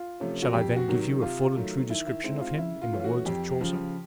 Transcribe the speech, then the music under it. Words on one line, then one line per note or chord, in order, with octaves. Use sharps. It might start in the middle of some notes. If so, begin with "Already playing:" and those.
"Shall I then give you a full and true description of him in the words of Chaucer?"
Already playing: F4
C3 F3 A3 C#4
F#4
F2 G4
F#4
C3 D#3 F#3
C3 F4
D#3 F#3 A3
D#3 E4
E4
G#3 C4 D#4 E4
F4
C#3 E4
F4
E3 A3 C#4
F4
F#4
F2 G4
C#3 F3